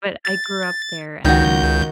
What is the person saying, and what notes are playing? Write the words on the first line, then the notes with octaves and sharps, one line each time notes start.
but I grew up there, and
A6
C#2 D#3 F#4 G6